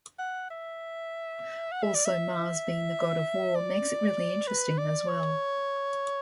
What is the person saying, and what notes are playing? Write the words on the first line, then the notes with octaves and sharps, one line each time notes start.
Also Mars being the God of War makes it really interesting, as well.
F#5
E5
F#5
E5
D5
E5
D5
B4
D5
C#5